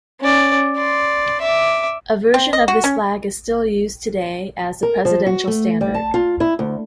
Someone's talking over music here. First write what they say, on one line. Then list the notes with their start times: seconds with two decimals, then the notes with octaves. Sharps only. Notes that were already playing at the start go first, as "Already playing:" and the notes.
A version of this flag is still used today as the Presidential Standard.
0.21 C#4 D5
0.76 D5 C6
1.41 E5 D6
2.34 C4
2.53 D#5
2.68 F#4
2.84 C#4
4.83 A#4
5.05 F3
5.26 F#4
5.47 A3
5.81 G3
5.94 A5
6.14 F4
6.40 E4
6.59 D2